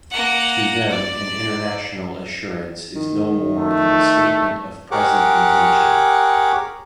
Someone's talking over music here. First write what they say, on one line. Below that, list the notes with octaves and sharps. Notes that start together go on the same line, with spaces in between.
To them an international assurance is no more than a statement of present intention.
A#3 F#5
D5
D#3
A3
G4 G#4 A#4 C#5 F#5 D6